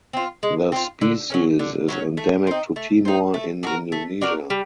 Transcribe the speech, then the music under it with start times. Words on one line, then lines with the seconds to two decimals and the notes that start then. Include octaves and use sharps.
The species is endemic to Timor in Indonesia.
0.13 C4 F4
0.43 G#3
0.72 C4 F4
1.01 D3
1.30 F#3 A#3 C#4
1.59 D3
1.88 F#3 A#3 C#4
2.17 A3
2.47 C4 D#4
2.76 A3
3.05 C4 D#4
3.34 A3
3.63 D4 F#4 A#4
3.92 A3
4.21 D4 F#4 A#4
4.50 G3